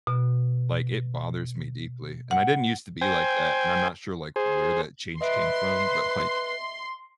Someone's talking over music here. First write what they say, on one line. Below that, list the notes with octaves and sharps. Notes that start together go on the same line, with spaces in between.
like, it bothers me deeply. And I didn't used to be like that, and I'm not sure, like, where that change came from, but, like,
B2
F#5
C5 G5 G#5
G#4 C5
B4 D#5 E5 C6 D7